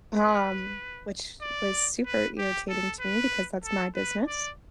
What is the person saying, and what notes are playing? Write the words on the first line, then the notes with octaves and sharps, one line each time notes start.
Um, which was super irritating to me because that's my business.
B4
D5
B4
G4
A4
B4
A4
B4
D5